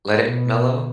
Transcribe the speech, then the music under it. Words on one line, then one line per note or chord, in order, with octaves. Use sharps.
let it mellow,
B2